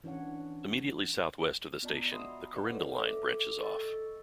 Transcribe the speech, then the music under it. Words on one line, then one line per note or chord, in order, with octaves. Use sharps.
Immediately south-west of the station, the Corinda line branches off.
E3 C#4 D4 C#5 F#5
B3 F4 D5 D#5 A5 A#5
F#4 E5 F#5 B5 C6 D#6
B4 D5 D#5 F#5
A4 C5 C#5
A4 E5 D6
A4 D#5 C#6 E6 A6